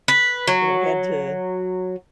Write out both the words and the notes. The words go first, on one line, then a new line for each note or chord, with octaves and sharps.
you know, had to
B4
F#3